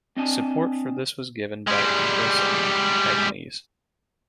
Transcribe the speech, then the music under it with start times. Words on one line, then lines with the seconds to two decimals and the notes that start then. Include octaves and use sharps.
Support for this was given by Empress Agnes.
0.17 C4 D4 D5 D#5 G#5 A5
1.67 G3 G#3